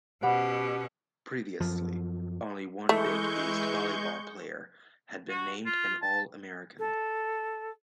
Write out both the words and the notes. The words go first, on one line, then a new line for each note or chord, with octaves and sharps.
Previously only one Big East volleyball player had been named an All-American.
B2 C#4 G4 C5 F#5 B5
F#2 F3
E3 G#3 A3 C#6 G6
F#4
F4
A5
A4